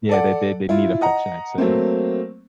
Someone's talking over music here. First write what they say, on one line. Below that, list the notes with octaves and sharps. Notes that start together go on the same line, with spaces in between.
Yeah, they they they need affection, I'd say.
A4 D5 F#5
E4 F4
D#5 F#5 A#5
F#3 A3 A#3 C4